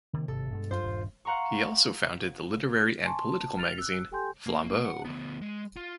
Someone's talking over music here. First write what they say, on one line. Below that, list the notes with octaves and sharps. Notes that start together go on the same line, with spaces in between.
He also founded the literary and political magazine "Flambeau".
C3 D#3 A#3
G#1 G2 C3 A4
G2 B2 G3 G#3
F#2 F4 C5
D#1
F5 F#5 A#5 C6 C#6
G#5 A5 C6 C#6
A5 C6
A5
F6 A6 F7
E6 F#6
G4 A4 G5 G#5 C6 G6
A#3
F#5
D2 B3
G#3
F4